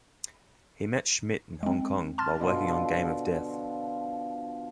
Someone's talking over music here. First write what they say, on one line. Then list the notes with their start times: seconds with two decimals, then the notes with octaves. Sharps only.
He met Schmidt in Hong Kong while working on "Game of Death".
1.63 G#3 C4
2.18 A5 C6 F6 A6
2.40 B2 D3 F3 C6